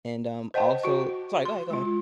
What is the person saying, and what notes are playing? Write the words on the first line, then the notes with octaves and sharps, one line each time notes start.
and, um, also sorry, go ahead, go ahead.
C5 D#5 F#5 G5 A5
F#4 C#6
C6
G#3 F4